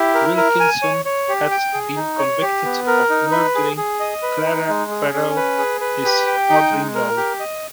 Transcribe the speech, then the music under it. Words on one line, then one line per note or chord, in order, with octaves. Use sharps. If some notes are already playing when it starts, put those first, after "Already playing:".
Wilkinson had been convicted of murdering Clara Farrell, his mother-in-law.
Already playing: E4 G4
A#4
A#4
G#5
C#5
C#5
G4
G5
G#4
D#4
C#5
G4
B3
A#4
D#4
B4
G#4
G#4
D#5
B4
D#4
G#3
G#4
C#4
B4
G#4
B4
G4
G5
D#4
G#3
A#4
G4
D#5